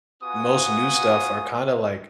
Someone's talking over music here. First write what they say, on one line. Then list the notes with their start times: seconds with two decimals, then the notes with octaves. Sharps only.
most new stuff are kinda, like
0.22 B3 F4 F#4 G#5 D#6